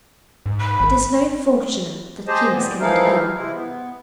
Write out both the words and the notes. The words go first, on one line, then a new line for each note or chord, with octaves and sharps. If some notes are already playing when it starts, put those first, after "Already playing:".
It is very fortunate that kings cannot err.
G#2
B5
G#1
G4 G#4 C5 D#5 A5
A#2 E3 B3 C4
D5
E3 F3 A#3 D#4 E4 F5
C3 G#3 E4
B3